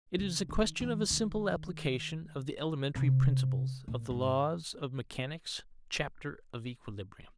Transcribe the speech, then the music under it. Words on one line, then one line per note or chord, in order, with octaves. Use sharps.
It is a question of a simple application of the elementary principles of the laws of mechanics, chapter of equilibrium.
C#3
D#3
E3
D#3
C3
A#2
G#2